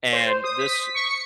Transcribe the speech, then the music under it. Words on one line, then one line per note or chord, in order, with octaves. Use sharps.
and this
C5
D#6
B6
C#6
C#7